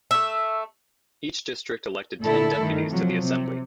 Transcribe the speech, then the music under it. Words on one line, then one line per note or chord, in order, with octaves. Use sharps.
Each district elected ten deputies to the Assembly.
A3 E5
A#2 D3 A3 E4 A4
G2 D#3
C3 F3 F#3
C3